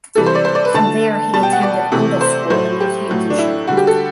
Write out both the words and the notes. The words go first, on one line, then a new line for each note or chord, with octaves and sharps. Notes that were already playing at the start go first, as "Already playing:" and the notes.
From there he attended Oundle School in Northamptonshire.
C3 E3 G3 A4
C5
D5
C5
D5
B4
D3 A3 A5
B2 G3 A5
G5
F#5
D5
C3 E3 A3
C5
A2 F#3 A3 C5
G4
A2 F#3 A3
D4
E4
D3 G3 F#4
G4
A4